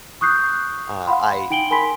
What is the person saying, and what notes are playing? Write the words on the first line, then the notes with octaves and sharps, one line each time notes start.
uh, I
C#6 D#6 F#6 G6 C7
F5 F#5 B5 C6
D#4 G5 D7 F#7 G7
A#4 G#5 B5 C6 B6